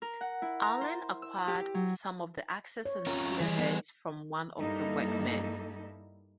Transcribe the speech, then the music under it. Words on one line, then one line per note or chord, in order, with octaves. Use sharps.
Allen acquired some of the axes and spearheads from one of the workmen.
A#4
F#5
E4
A#5
C5
E6
G4
F#3
C#5
C#4 F4 A#4
E3 G3 G#4
B3
G2 G3 A#3 D#4 E4 A4